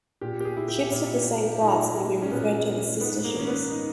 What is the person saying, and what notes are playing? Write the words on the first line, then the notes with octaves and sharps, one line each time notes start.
Ships of the same class may be referred to as sister ships.
A#2 G4
G4
G#4
E4
G4
A#2 E4
A#2 D#4
C#4
A#2 B3
G#2 B3
A#3
D#3 C#4
B3
D#4